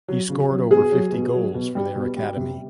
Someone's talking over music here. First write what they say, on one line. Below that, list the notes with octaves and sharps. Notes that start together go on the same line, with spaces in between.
He scored over fifty goals for their academy.
F#3
C#3
F#3
B2 G#4
F#3
B2
F#3
B2
G3
B2
G3
C3